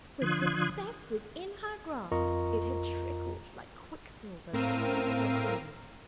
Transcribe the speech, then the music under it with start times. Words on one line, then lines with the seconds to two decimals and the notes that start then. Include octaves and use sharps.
With success within her grasp, it had trickled like quicksilver through her fingers.
0.22 D3 F3 C6 D#6 F#6 G#6
2.12 F2 F4 A#4 D#5 A#5 C#6
4.53 A2 C4 A#4 F5 E6 D#7